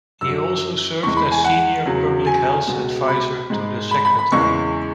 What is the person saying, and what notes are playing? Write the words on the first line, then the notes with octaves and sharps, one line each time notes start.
He also served as senior public health advisor to the Secretary.
F#2 F#3 E6
E2 E3 G#3 C#6
B5
G#5
F#5
E2 C#3 F#3
G#5
C#2 B2 G#3
B5
G#2 G#3
B5
B5
B5
E2 C#3 E3 G#3 C#6